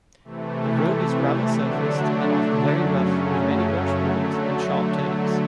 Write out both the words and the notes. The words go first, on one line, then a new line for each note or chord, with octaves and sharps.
The road is gravel-surfaced, and often very rough with many washboards and sharp turns.
C3 E3 A3
D3 F#3 A3 D4
F#2 C#3 F#3 A3 C#4
D3 F#3 A3